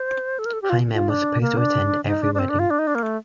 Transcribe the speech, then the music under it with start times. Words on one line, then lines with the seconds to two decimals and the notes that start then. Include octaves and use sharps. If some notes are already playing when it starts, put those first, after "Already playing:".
Hymen was supposed to attend every wedding.
Already playing: C5
0.39 A4
0.46 A#4
0.53 A4
0.62 G4
0.70 F4
0.93 F4
1.09 D4
1.41 A#3
1.57 D4
2.07 D#4
2.22 D4
2.34 D4
2.39 C4
2.49 D4
2.59 F4
2.70 D4
2.79 D#4
2.87 D4
2.95 A#3
3.03 A3